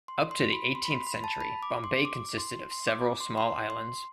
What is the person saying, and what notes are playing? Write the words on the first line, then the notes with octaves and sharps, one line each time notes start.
Up to the eighteenth century, Bombay consisted of several small islands.
C6
C6
B5
C6
B5
C6
B5
A5
B5
D6
C6
D6
C6
C6
D6
C6
C6
C6